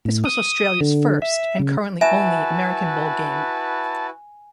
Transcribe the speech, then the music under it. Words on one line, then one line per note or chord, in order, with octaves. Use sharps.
This was Australia's first, and currently only, American Bowl game.
A2
D#6
D3
E5
C#3
E4 F#4 B4 E5 G#5 A5 E7